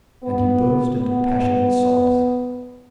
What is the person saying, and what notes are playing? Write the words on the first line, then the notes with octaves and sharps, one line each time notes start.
And he burst into passionate sobs.
B3
B3